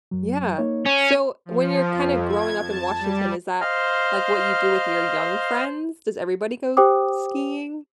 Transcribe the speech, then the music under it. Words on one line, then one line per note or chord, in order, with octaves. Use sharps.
Yeah. So, when you're kinda growing up in Washington, is that, like, what you do with your young friends? Does everybody go skiing?
F#2 F#3
A#3 D#4 C#5
C#4 C#5
F3
F2
G#6
A5
G3
C5 D#5 F5 F6
G4 C5 G5 D6 D#6